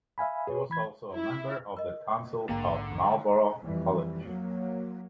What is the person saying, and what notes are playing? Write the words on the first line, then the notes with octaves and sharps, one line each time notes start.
He was also a Member of the Council of Marlborough College.
E5 F5 G#5 B5
G#4 B4 C#5
E3 B5 G#6
E4
A#4 D#5
A#1 G#2 D3 A#3 G#4 G5 A#5
F2 E3 G3
F#3 A#3